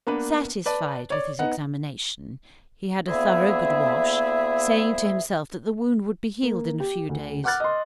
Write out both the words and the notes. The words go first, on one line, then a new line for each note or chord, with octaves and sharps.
Satisfied with his examination, he had a thorough good wash, saying to himself that the wound would be healed in a few days.
A#3 B3 D4 B4
B4 D5 A5
C#5 D5
B3 D#4 F#5
D2 A#3 B3 E4 G#4 E5
A#3
G4
D2
F#5 D6 F6 F#6 A6
D#5 C6